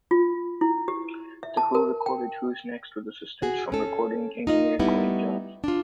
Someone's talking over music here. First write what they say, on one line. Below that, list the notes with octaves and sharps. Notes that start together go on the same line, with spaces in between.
The Who recorded "Who's Next" with assistance from recording engineer Glyn Johns.
F4
E4
G4
E5
A5
A#4
G5
F#4 G#4
C#4 A4
D#4 F4 D#5
G3 A3 B3 D#4 E4
D4 F4